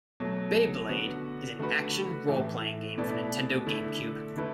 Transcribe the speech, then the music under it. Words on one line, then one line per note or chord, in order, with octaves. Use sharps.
"Beyblade" is an action role-playing game for Nintendo GameCube.
B2 F#3 A3
D3 B3 F#4
D3 A3 F#4 B4
A2 E3 A3
B2 A3 E4 B4 D5
D3 A3 E4 A4
D3 A3 E4 B4